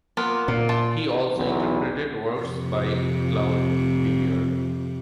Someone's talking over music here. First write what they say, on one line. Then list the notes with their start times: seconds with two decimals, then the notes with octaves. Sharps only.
He also interpreted works by Claude Vivier.
0.17 A#3 B3 F4
0.48 A#2 A#3
0.69 F4 A5
1.36 B1 E2
2.40 F2 C3